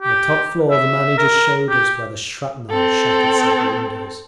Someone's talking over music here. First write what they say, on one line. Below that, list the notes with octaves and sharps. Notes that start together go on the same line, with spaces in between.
On the top floor the manager showed us where shrapnel had shattered several windows.
G4
E5
A#4
G4
C4 A4